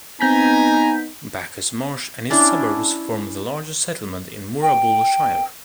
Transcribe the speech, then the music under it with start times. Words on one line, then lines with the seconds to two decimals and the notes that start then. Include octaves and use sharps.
Bacchus Marsh and its suburbs form the largest settlement in Moorabool Shire.
0.21 B3 C4 D#4 G#5 A#5 G6 B6
2.30 C#4 D4 E4
4.62 G5